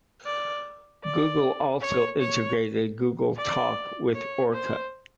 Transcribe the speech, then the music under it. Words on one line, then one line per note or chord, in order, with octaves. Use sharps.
Google also integrated Google Talk with Orkut.
D5
D5
C#5
C#5
D5
C#5
C5